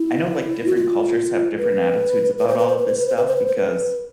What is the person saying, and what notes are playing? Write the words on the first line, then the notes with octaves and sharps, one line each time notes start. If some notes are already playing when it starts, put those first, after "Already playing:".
I know, like, different cultures have different attitudes about all of this stuff because,
Already playing: E4
F#4
F4
B4
B4
C5
B4
C5
B4
C5
B4
C5
B4
C5
B4
C5
B4